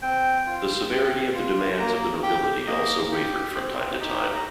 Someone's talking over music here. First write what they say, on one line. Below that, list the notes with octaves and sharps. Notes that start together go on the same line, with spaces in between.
The severity of the demands of the nobility also wavered from time to time.
C4 G5
F4
C4
F4
A#3 A#5
G4 G5
A#3 D#5
G4
C4 C5
D#4 G4
G5
A#5